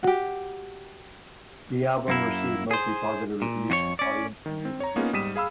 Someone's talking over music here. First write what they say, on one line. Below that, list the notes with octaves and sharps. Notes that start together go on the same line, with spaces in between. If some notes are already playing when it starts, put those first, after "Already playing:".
The album received mostly positive reviews from audiences and music listeners.
F#4 G4
F#2 A#3 E4
G#4 C5
A#2
F2 F#4 C#5
C#4 D5
D#3
C4
C#5 A#5
A#3 B3 C#4 D#4 F4
G#2 G3 D#6 B6 D#7 E7
G#4 F5 B5 E6